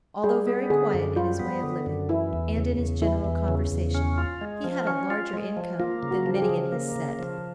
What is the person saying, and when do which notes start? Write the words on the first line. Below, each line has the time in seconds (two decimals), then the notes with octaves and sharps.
Although very quiet in his way of living, and in his general conversation, he had a larger income than many in his set.
0.24 G3 G#4
0.47 B3
0.70 D3 G#4
0.94 F#2
1.16 G3 F4
1.40 B3
1.63 D3
1.86 F#2
2.09 E3 E4
2.33 E2
2.56 C#3
2.79 E2
3.02 E3 E4
3.24 E2
3.48 C#3
3.72 E2
3.94 C#4
4.18 F4
4.41 G#3
4.64 F3
4.87 C#4
5.10 F4
5.33 G#3
5.57 F3
5.80 A#3 F4
6.03 C#3
6.11 F#4
6.26 F3
6.35 G4
6.42 G#4
6.49 C#3
6.72 A#3
6.96 C#3
7.19 F3